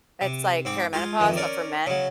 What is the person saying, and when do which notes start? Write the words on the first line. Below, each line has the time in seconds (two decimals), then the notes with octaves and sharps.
it's like perimenopause, but for men.
0.21 C3
0.65 G#2 C4 D6
0.93 G#3 F4 G#4
1.20 F2 D#3 E3
1.36 C#4 A#4 D5
1.86 C#3 F#3